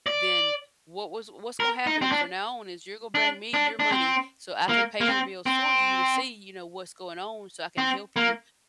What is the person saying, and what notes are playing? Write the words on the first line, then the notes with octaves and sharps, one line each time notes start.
then, what was what's gonna happen from now on is you're gonna bring me your money, so I can pay your bills for you to see, you know, what's going on, so I can help you,
D5
A#4
D#4
C4
D4
D4
D4
D4
C4
A#3
A#3
C4
C4
C4
A#3